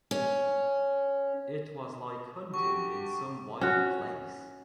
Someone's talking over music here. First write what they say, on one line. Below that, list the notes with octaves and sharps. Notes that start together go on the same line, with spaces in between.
It was like hunting in some wild place.
C#4
D4 F#4 G4 C#6
C#4 F#4